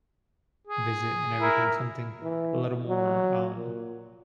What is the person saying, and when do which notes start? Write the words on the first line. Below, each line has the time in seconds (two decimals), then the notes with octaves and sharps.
visit and everything, something a little more, um
0.67 G#4
1.40 E4 A#4
2.22 E3
2.88 F#3
3.56 A#2